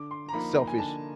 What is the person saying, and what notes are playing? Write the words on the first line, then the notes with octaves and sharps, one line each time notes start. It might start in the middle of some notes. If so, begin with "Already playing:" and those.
eh, selfish,
Already playing: D3 D6
C6
A#5
F3 A#3 D#4 B5
A#5
G#5
D3 A5